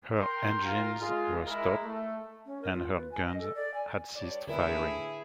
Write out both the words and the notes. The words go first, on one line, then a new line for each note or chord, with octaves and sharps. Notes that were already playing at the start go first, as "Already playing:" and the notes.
Her engines were stopped and her guns had ceased firing.
A#4 G5 C6
F4 A#4
G#3 F4
G#3 E4 A#4
A3
C#4
A#4
F4
B4
G#5
D#5
A4
D5
G#5
G2 C#5 D5
A2 D3 E4 G#4 A#4 B4